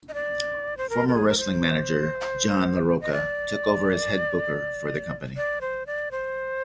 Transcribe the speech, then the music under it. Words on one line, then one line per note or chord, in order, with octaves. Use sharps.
Former wrestling manager John LaRocca took over as head booker for the company.
D#5
D5
C5
A#4
A#4
G#4
A#4
C5
D#5
D5
D5
C5
D5
C5